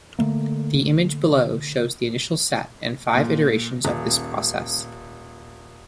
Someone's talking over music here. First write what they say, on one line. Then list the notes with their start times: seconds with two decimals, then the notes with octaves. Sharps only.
The image below shows the initial set and five iterations of this process.
0.19 D3 A3 A#3
3.15 A#2
3.85 D#1